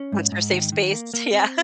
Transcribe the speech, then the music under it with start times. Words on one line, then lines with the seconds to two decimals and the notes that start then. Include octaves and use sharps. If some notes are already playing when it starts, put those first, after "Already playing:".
Once our safe space. Yeah.
Already playing: C#4
0.12 G#2
0.32 G#2
0.52 D#3
0.72 D#3
0.92 A#3
1.14 A#3
1.33 C4